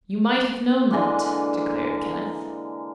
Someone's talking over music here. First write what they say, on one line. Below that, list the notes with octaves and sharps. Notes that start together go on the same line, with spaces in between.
"You might have known that," declared Kenneth.
D3 E3 G#3 A#3